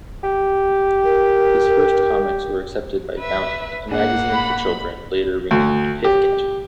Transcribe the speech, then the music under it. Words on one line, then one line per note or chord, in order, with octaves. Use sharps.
His first comics were accepted by "Vaillant", a magazine for children later renamed "Pif-Gadget".
G4
A#4
B4 E5
G#2 A#3 D4 G#4 F#5
B5
D2
G4